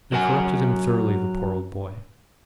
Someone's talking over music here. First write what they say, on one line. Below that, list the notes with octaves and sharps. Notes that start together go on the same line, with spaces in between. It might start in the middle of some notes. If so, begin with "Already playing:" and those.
They corrupted him thoroughly, the poor old boy.
F#3 A#4 F#5 G#5